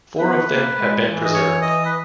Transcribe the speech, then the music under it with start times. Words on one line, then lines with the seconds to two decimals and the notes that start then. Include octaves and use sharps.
Four of them have been preserved.
0.19 B3 B4
0.49 A#3
0.77 G#3
1.05 E3
1.25 D#5
1.34 C#5
1.62 D#5
1.86 B4